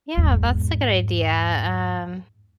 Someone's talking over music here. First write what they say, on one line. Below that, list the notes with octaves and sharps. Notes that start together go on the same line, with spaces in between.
Yeah, that's a good idea. Um,
E2 G#2